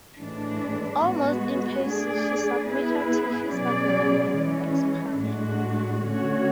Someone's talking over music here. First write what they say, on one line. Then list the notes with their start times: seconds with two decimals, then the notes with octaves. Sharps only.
Almost impassive, she submitted to his argument and expounding.
0.17 A2 E3 G#3 D4
1.01 G#3 B3 F#4
1.83 A3 D4 G#4 D5
2.67 B3 E4 G#4 B4
3.51 B2 F#3 C#4 G#4 D5
4.34 E3 G#3 C#4
5.17 A2 G#3 D4 F#4
6.01 D3 A3 C#4 F#4 C#5